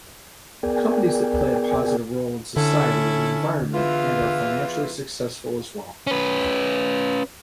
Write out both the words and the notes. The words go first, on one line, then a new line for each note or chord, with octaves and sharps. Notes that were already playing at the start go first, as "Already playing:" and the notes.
Companies that play a positive role in society and the environment, and are financially successful as well.
B3 G#4 A#4 D5 G5 G#5
D3 C#4 E4 A4
E2 E3 F4
C#4 B4